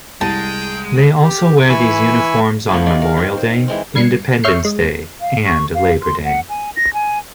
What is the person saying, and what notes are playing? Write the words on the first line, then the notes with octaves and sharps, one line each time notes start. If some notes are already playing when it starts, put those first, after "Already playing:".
They also wear these uniforms on Memorial Day, Independence Day, and Labor Day.
C2 G#3 G5 A5
G4
E3 E4 G#5 B5 C#6 E6
F3 A3 B3 E4
D#3 D5
A#4 F5
C4
C5
E3 G#3 C4
G2 G#6 C7 C#7
C#5 E5 F6 G6 C7 C#7
G#3
F5
C#6
F5
C6
F#5
G#5
A#6
G#5